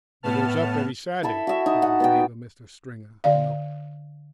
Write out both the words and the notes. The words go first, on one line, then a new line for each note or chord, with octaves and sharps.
"They goes up every Saturday," said his neighbour, Mr. Stringer, the milkman.
A2 B3 A5 F6
E4 A4 E5 B5
F#4 E5
D#4
F#5
B3 F#4 G5
D3 D5 F5